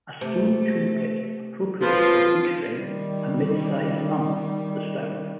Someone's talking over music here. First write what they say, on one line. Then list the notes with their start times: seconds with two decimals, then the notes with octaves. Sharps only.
A stone tool kit appropriate for butchering a mid-sized mammal was found.
0.21 C3 A3
1.82 F3 C4 F4 B4
2.74 D#3 G3